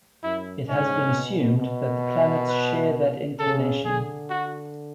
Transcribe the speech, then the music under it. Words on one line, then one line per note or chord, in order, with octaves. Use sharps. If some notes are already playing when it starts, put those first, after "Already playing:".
It has been assumed that the planets share that inclination.
F#2 E4
G#2 C#4
B2
B2
B4
C#3 A4
D3 G#4
F#4